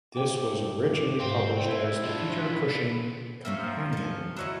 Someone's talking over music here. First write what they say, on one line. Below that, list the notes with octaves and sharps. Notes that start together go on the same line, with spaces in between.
This was originally published as "The Peter Cushing Companion".
D2 C5 G5 D6
G#2 C4 F5 G5
E4 C#5
F3 D4
B5
A#3 C4 C#4 E5
F3
A4 G#5
F#3 C#4 D#4 E4